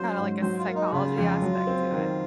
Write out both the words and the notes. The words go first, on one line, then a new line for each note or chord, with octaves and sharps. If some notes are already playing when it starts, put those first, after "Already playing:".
kinda like a psychology aspect to it.
Already playing: F#3 C#4 F4 C5
G#2
F#3 C5
F4
A#3
D#4
F#4
C#3 F4
F2
F#3
C4
D#3